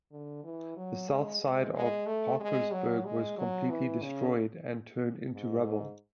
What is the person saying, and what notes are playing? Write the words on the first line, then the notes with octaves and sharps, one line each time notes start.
The south side of Parkersburg was completely destroyed and turned into rubble.
D3
E3
F#3
G#3
G#3
G#3
A3
G#3
F#3
G#3
F#3
E3
C#3
G#2